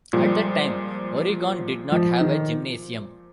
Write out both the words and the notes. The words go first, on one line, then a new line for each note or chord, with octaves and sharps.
At the time, Oregon did not have a gymnasium.
A#2 F3 G3 G#3
F3
D#3